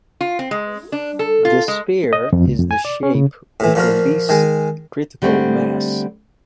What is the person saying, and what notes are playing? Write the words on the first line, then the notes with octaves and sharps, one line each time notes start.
The sphere is the shape with the least critical mass.
F4
C4
G#3
D4
A4
F4
G#3
D#5
F2
C#2
F2
G#5
D5
C#4
C#3
A2 E3
A#2 F3 F#4 A#4
D#3 G#3 G#5
D3 G3 A3 C4